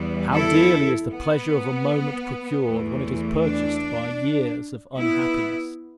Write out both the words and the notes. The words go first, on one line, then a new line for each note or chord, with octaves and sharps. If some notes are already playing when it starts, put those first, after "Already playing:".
How dearly is the pleasure of a moment procured when it is purchased by years of unhappiness!
Already playing: E2 E3 G3 B3
E4 A4
B3
E2 E3 A3
D4
B3 E4